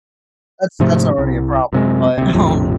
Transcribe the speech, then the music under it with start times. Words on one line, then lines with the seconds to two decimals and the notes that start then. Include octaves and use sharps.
that's that's already a problem, but, um
0.80 G#2 C3 F3 A3
1.18 C2
1.73 F#2 C3 G#3
2.18 D2 C3
2.34 A#1 F2 A2 C3